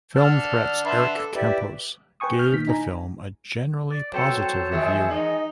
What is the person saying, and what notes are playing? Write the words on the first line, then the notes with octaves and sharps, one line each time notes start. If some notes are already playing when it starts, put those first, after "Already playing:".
Film Threat's Eric Campos gave the film a generally positive review.
D3 D4 A5 F6
D3 B4 E5 A5 C6
A4
E4 G4 B4 D5
B4 G5 G#5 C#6 D#6
F6 G6
A#2 D#3 B6
D#4 G#5 A#5
D5
F#3 B3 C4 A4 C5 C#5 G5 A5
D#3 E3 G#3 E5
D#4 D#5